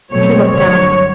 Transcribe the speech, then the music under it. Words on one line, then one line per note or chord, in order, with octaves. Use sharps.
She looked down.
B2 F#3 A3 C4 C#5
G2 D3 F#3 C#5